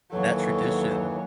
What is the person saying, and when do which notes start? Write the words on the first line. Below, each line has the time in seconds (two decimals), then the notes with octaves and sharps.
that tradition
0.12 D#2 E3 F#3 A4 C#5